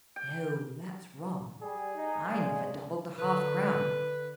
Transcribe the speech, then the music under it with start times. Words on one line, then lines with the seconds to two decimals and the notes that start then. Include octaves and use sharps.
No, that's wrong--I never doubled the half-crown.
0.16 G5
1.62 G3 G#4
1.95 D#4
2.28 C#3 G#3 D4
3.18 D3 B4